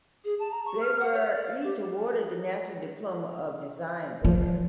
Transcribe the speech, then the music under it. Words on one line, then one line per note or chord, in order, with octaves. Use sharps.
They were each awarded the National Diploma of Design there.
G#4
A5
A#5
C#6
F6
F#5
C#5
D5
F5
G4
F3